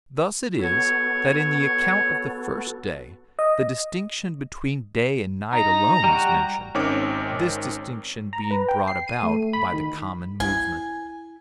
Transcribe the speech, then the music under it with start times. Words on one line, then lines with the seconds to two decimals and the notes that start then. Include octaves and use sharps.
Thus it is, that in the account of the first day the distinction between day and night alone is mentioned; this distinction being brought about by the common movement of the heavens.
0.59 B3 F#4 A4 C#5
3.39 D#5
5.53 D#4 A#5
6.04 G3 F#4
6.74 G#1 D#3 C4 C#4 C#5 D6
8.33 A#5
8.51 B4
8.68 G5
8.88 C7
9.08 D#7
9.23 A3
9.53 B5
9.73 D#3
10.40 E4 G#5